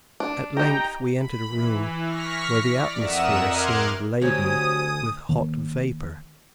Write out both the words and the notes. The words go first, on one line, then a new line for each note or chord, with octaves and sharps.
At length we entered a room where the atmosphere seemed laden with hot vapor.
D4
D#4 G4 G5 A#5
B5
E3
C#6 F6 A#6 B6
D5
F2 A#4 E5 F#5 D#6 E7
A#4 C6 D6 F6 F#6 G#6
D2 F#3 C4 G4 G#5 D#6 G#6
D#3 A#3